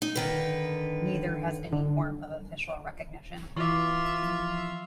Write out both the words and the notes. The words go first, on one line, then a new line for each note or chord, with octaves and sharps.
Neither has any form of official recognition.
D#4
D3 D#3 B4
D3
E3 F4 E5 C#6 D6
F3